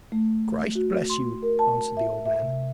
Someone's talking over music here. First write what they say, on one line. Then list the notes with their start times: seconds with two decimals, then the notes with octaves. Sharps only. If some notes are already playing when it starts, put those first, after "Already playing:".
'Christ bless you,' answered the old man.
0.12 A3
0.75 F#4
1.10 C6
1.42 A#4
1.59 A5
1.97 E5
2.26 E5
2.42 C3